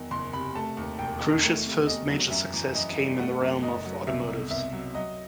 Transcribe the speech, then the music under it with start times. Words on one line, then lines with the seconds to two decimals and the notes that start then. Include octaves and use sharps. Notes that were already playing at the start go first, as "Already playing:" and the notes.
Cruce's first major success came in the realm of automotives.
Already playing: E2 D#3 F#3
0.11 F#1 C6
0.33 C3 B5
0.55 A3 A5
0.77 D#2
0.99 E1 G5
1.21 D#3
1.43 A3
1.65 C3
1.87 E2 D#5
2.10 F#3
2.31 F#2 E5
2.53 E3
2.75 F#2 D#5
2.98 G3
3.19 A3 F#5
3.41 F#2
3.63 F#1 D#5
3.85 F#3
4.07 C2 E5
4.29 B2
4.51 C2 E5
4.73 F#3
4.94 F#3 D#5